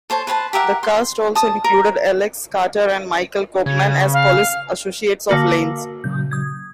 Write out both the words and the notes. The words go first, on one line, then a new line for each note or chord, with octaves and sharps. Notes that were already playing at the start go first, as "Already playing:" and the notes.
The cast also included Alex Carter and Michael Copeman as police associates of Lane's.
A4 C5 C#5 A5
B4 C5 G#5 A5
G4 A#4 E5 F#5
C6
A5 D#6
A#4
C#3 G#6
F5
D3 A#3 F#4 A#4 F5
A#2 C#3 F#3 G6
D#6 G#6